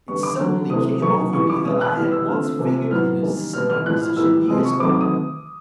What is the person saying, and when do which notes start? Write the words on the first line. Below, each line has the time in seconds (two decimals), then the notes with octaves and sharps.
It suddenly came over me that I had once figured in a similar position years ago.
0.08 D3 G3 B3 C#6
0.23 D6
0.39 D3 F#3 A#3
0.70 C3 E3 A3 C4 D#6
1.02 B2 F#3 A#3 C#4 C#6
1.33 C#3 E3 G3 C#6
1.50 D6
1.65 B2 G#3 B3 D#6
1.81 F#6
1.96 E3 G3 B3 F6
2.12 E6
2.28 D3 F3 A3 C4 F6
2.59 C3 F3 A#3 C#4
2.91 A2 F#3 B3 F6
3.22 D#3 G3 A#3 C#4
3.53 B2 G3 B3 F6
3.70 F6
3.85 A2 F3 G#3 F#6
4.01 F6
4.17 A2 E3 G3 A#3 E6
4.48 C3 F3 G#3 C4 D#6
4.65 C#6
4.80 D#3 F#3 A3 C4 D6
4.90 D6
5.01 D#6